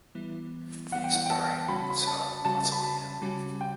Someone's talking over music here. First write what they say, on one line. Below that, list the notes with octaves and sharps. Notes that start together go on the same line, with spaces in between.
He is buried in his own mausoleum.
E3 G3 B3 E4
E3 G3 B3 E4 F#5
G5
F#5
G5
A5
C#3 G3 C#4 F#4 B5
B5
A5
C#3 G3 C#4 F#4 A5
B5
A5
C#3 G3 C#4 F#4
G5